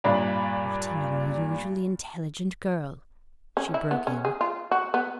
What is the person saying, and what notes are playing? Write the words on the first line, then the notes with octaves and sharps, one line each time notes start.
'What an unusually intelligent girl!' she broke in.
G2 A#2 D4 B5
C#4
E4
B3
C#4
G#4
F4
F#4
B3